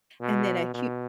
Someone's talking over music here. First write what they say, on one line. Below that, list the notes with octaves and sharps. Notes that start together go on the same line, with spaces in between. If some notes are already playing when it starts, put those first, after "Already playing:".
and then a hu
B2
B2